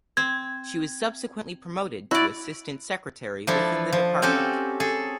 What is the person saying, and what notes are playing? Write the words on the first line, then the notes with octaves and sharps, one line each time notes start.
She was subsequently promoted to assistant secretary within the Department.
C4 G#6
E4 F#4 D5
F3 D4 E4 A4
F3
C4 C#4 F#4 G4 A4
G#4 A4